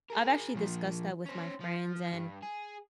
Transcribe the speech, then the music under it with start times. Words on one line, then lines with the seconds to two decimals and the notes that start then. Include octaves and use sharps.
I've actually discussed that with my friends, and
0.10 G#4 A#4
0.55 A#2 F3
1.25 C#4 C5
1.61 F3
2.12 G2
2.43 G#4